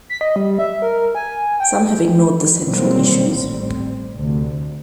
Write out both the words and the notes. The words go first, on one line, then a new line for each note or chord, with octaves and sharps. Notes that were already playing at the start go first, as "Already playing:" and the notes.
Some have ignored the central issues.
B6
D#5
G3
E5
A#4
G#5
G5
B2 D#3 F#3 G3 A#3 C4
A1 G3 C4
D2 C3